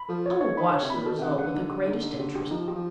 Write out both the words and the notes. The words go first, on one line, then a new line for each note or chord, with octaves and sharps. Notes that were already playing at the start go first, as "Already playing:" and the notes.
I will watch the result with the greatest interest.
Already playing: B5
F3 A4
C#5
C#5
D#3 B5
D3 C#5
C3
A#2 B5
B2 A4
C3 F#5
C#3
D3 F#5
D#4
G4
D#4
D#4
G4
G4
F3 D#4
G4
F3